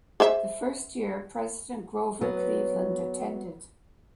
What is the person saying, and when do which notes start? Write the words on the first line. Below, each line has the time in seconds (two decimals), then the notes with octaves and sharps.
The first year, President Grover Cleveland attended.
0.20 G#4 C5 E5
2.21 F#3 B3